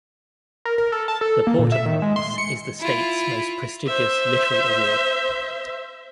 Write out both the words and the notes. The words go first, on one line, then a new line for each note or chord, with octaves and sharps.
The Porter Prize is the state's most prestigious literary award.
A#4
A#4
A4
A5
A4
A#3
A#2
E5
D#3
G#3
C6
C#7
E4 F4
C5 E5